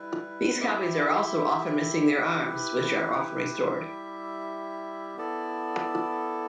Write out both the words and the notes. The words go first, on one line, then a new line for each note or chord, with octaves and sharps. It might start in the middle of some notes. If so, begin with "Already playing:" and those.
These copies are also often missing their arms, which are often restored.
Already playing: G3 E4 B4
E4 G4 E5
E4 G4 B4
G3 E4 G4 E5
B3 E4 A4 D5